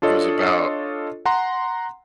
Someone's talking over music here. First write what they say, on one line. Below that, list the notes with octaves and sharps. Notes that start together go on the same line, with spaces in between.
It was about
D4 F4 A4 C#5 D#5
F#5 A#5 C6